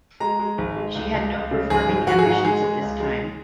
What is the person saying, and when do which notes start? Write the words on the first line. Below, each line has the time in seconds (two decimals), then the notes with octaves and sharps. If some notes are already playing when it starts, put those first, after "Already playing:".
She had no performing ambitions at this time.
0.20 G#3 A#5
0.39 G#3
0.58 G#1
0.76 G#3
0.95 C#2
1.13 C#2
1.33 C#2
1.51 C#3
1.70 G#1 G#4
1.88 G#1
2.07 G#1 F#4
2.19 G#4
2.26 G#2 F#4
2.44 G#3 G#4
2.63 G#3
2.82 C#2
3.00 G#3